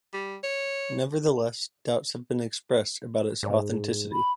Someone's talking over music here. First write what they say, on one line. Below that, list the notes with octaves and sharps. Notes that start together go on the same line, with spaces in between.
Nevertheless, doubts have been expressed about its authenticity.
G3
C#5
G#2
B5